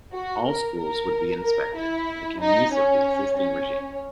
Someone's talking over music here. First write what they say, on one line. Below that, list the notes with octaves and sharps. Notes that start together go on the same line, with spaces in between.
All schools would be inspected, making use of the existing regime.
F#4
A#4
A#4
A#4
E4
D#4
C#4
C#4